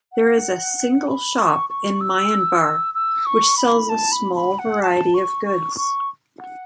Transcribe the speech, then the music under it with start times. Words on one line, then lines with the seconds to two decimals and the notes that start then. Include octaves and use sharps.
There is a single shop in Maianbar which sells a small variety of goods.
0.13 F#5
1.07 B5
1.38 C#6
1.69 C#6
2.01 E6
2.94 E6
3.26 C#6
3.57 B5
3.89 A5
4.12 B5
4.36 B5
4.59 F#5
4.82 A5
5.14 C#6
5.45 C#6
5.77 C#6
6.40 F#5